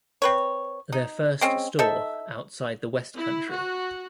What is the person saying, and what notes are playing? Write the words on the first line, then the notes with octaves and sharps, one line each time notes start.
Their first store outside the west country.
C4 B4 C#5
D#4
G#3 C4 C#4
D#4 A4 E5
E4
F#4